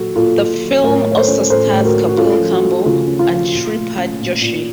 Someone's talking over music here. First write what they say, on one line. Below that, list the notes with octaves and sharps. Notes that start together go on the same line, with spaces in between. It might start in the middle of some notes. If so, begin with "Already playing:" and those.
The film also stars Kapil Kamble and Shripad Joshi.
Already playing: A#2 F#3 A#3 F#4 A4
A#2 F4 A4
A#2
F#3
A2 A#4 C#5
A3
C#5
A4 C5
C#4
A2 A4 C5
A2
F#4 A#4
A3
F#4
C#4 F4 A4
F3
F#4
A3
C#3 F4
C#4
F4
F3
A#2
A3
C#4
A#2
A#2